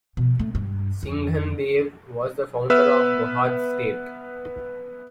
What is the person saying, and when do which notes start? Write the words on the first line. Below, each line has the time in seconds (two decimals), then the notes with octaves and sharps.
Singhandev was the founder of Gohad state.
0.17 B2 F3
0.39 C#3 A3
0.55 G2
1.03 F2
2.70 B3 B4 E5 E6 F6